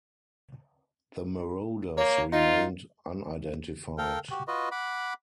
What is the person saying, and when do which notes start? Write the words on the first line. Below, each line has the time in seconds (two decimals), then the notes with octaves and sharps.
The marauders remained unidentified.
1.97 A#3 C#5
2.32 D#4 F4
3.98 A4 A#4 F5 G5
4.31 F#4 G4
4.48 F4 F#4 B4 D#5
4.72 F#5 B5 D6